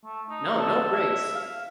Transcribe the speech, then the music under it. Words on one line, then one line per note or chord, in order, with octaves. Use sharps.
No, no breaks.
A3
D#4
A4
E5
F5